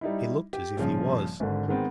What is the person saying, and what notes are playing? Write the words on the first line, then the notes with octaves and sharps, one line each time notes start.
He looked as if he was.
G3 D#4 E4
G4
A#1 G2 C#3 F3
G#1 G#2 D3
D#3 G#3 B3 C4